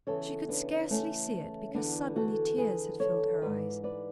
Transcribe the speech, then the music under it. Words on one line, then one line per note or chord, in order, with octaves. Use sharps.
She could scarcely see it, because suddenly tears had filled her eyes.
E2 C#3 E3 A4 C#5
B3 D4
A3 C#4
E2 D3 B3 D4
F#4 A4
G#4 B4
A4 C#5
G#2 E3 B4 D5
B4 D5